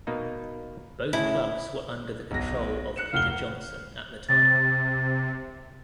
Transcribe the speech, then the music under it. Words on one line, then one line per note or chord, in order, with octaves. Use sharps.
Both clubs were under the control of Peter Johnson at the time.
B2 A#3 D#4
A2 C#3 C#4 E4
B1 A#6
F#6 C#7 E7
F1 F5 G7
C3 A6